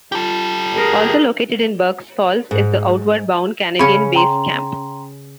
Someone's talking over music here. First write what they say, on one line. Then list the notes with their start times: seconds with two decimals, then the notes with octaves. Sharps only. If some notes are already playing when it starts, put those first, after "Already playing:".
Also located in Burk's Falls is the Outward Bound Canadian Base Camp.
0.12 F4 G4 A4
0.76 G#4 A#4
2.51 G#2
3.79 C#3 C#4 B5
4.15 G5 A#5 C6